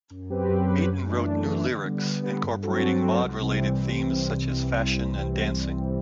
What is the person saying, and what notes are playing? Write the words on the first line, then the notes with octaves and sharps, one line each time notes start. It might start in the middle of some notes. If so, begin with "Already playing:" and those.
Meaden wrote new lyrics, incorporating mod-related themes such as fashion and dancing.
F#2
F#3 C4 G4 B4
F#2
F#3 C4 G4 B4
F#2
E3 A3 D4
F#2
E3 A3 D4
D3
G3 B3
D3
G3 B3
G2
F#3 C4 F#4 A4
G2
F#3 C4 F#4 A4
C2
C3 E3 G3 C4
C2